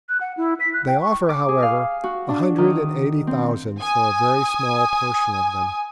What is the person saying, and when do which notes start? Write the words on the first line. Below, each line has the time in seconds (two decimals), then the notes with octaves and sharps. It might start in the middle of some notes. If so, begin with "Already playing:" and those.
They offer, however, a hundred and eighty thousand for a very small portion of them.
0.09 F#6
0.21 F#5
0.37 E4
0.60 B6
0.73 F#6
0.87 G5
1.02 C#6
1.29 D6
1.48 G#4
1.62 F5
2.04 F#4
2.29 D4
2.58 D#3
3.27 C4
3.80 G#5 D#6